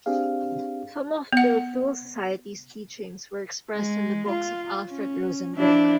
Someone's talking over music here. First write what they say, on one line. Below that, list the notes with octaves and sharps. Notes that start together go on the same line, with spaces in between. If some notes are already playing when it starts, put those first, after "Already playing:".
Some of the Thule Society's teachings were expressed in the books of Alfred Rosenberg.
C4 D4 G4 G#4 F5
B3 F#5
G#3
F4
C#4
F3 D4 E4